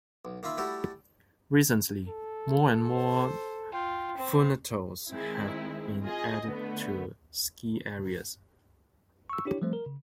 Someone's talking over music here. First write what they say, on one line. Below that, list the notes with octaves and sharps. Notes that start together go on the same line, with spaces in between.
Recently, more and more funitels have been added to ski areas.
B1
D#3 A#3 F4 E5 B5
G3 A3 E4 F#4 G4 A4
A4
C5
F4 G5
C4
D#3 G#3 C4 E4
F4 G#4 D#5
D3 A3 B3
C#6 E6
D4 E4 G4 C#5
F3 G3 A3 C4 C5
A#4
C#3